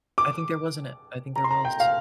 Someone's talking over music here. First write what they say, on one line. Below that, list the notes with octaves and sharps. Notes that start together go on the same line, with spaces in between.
I think there wasn't it I think there was.
D6
A#5
C6
A#5
G5
F5